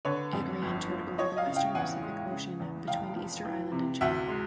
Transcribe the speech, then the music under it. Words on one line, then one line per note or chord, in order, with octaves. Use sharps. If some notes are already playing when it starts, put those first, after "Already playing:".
It reentered over the western Pacific Ocean between Easter Island and Chile.
D3 B4 C#5
F2
G1
F3
F3 C#5 D#5
D#5 F5
C#3
F5 G5
E2 F#5 G#5
G#3
C#3
E2
F1 F5 G5
F3
E3
C3
D2 E5 F#5
G#3